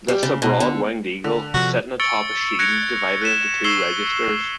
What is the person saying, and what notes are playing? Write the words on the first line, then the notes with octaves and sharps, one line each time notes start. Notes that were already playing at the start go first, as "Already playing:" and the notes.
This is a broad winged eagle, sitting atop a shield divided into two registers.
G3
C#3
B2
D3
D3
C3 F3 F#4
C#6 E6 A6 C#7 D7 G7
E6 F#6 G#6 A#6 C#7 F7
F#6 B6 E7
C#6 E6 C7 E7 G7